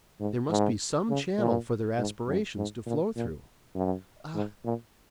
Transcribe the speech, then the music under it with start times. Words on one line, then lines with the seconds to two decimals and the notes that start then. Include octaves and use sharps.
There must be some channel for their aspirations to flow through--- Ah!
0.20 G#2
0.50 G#2
1.09 C#3
1.38 A#2
1.98 G#2
2.28 F#2
2.57 G#2
2.86 A#2
3.16 A#2
3.75 F#2
4.34 G#2
4.65 A#2